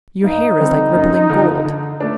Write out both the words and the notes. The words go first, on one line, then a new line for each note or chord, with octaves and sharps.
Your hair is like rippling gold.
G2 D#4
D3 G3 C4
F#2
D3 F3
D3
A3 D4